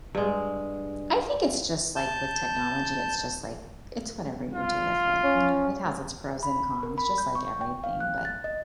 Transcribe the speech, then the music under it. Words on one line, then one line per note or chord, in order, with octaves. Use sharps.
I think it's just, like, with technology, it's just, like, it's whatever you do with it, you know, it has its pros and cons just like everything, but,
G2 G#3
A5 G6
F4
C#4
B5
A#4
B5
G6
C#6
G5
F5
F#6
A6
D#5